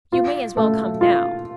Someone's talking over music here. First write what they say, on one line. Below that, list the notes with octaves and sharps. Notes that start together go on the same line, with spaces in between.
You may as well come now.
F4
A3
F4